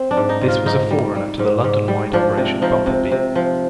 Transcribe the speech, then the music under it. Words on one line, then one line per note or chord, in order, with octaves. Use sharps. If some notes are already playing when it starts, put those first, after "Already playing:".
This was a forerunner to the London - wide Operation Bumblebee.
Already playing: C4
D4
G#2
D#4
G#2
F4
G#2 D#4
G3
G3
G#2
G#2
G3
F3 D4
C3
F3 D#4
C3
C3
F3